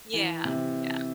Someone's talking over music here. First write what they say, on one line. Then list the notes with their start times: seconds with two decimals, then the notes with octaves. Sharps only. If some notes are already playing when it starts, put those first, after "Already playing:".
Yeah. Yeah.
0.13 E3
0.45 C3